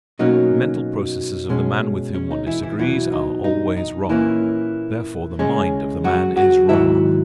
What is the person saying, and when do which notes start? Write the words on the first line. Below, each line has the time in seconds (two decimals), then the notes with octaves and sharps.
The mental processes of the man with whom one disagrees, are always wrong. Therefore the mind of the man is wrong.
0.19 B2 F#3 A#3 C#4 D#4
1.49 B2 G#3 C#4
2.15 C#4
2.31 D#4
2.47 E3 E4
2.63 E3 E4
2.79 E2 B2 E3 F#3 E4
3.12 D#4
3.44 D#4
3.77 D#4
4.09 A#2 E3 A#3 C#4 E4
5.39 C#3 G#3 C#4
6.04 F#3 F#4
6.36 F#3 F#4
6.69 G#2 D#3 F#3 E4 E5